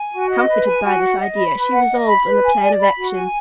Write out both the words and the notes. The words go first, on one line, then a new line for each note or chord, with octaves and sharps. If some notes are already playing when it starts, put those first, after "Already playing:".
Comforted by this idea, she resolved on a plan of action.
Already playing: G#5
F#4
D#5
B4
G#5
F#4
F#5
D#5
B5
B4
F#5
D#5
B5
B4
G#5
D5
B5
F#4
G#5